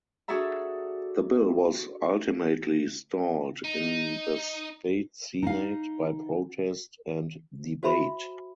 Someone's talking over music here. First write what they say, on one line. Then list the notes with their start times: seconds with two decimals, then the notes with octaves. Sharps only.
The bill was ultimately stalled in the State Senate by protest and debate.
0.28 D4 F#4 G#4 A4 E5 A#5
3.64 D#4
5.43 D#4 F5
7.83 F#4 C5 E5 B5 C6